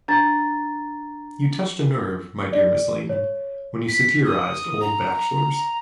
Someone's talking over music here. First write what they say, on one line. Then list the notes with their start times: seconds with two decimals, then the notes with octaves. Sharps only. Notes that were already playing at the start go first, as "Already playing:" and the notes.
You touched a nerve, my dear Mrs. Layton, when you satirized old bachelors.
0.08 D4 A#5 A6
1.94 E6
2.53 D5
3.09 C#5
3.88 B6
4.25 D#6
4.81 A#5